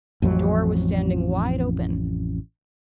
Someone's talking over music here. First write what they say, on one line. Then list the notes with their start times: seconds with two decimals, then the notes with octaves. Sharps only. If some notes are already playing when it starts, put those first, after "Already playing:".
The door was standing wide open.
0.22 A1 F2 F3 F#3